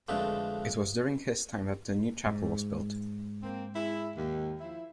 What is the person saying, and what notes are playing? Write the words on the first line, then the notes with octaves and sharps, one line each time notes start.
It was during his time that the new chapel was built.
F2 D3 G#3 A3 B4 A5
G#2
A#3 C4
G#3 E4
D#2
F3 E4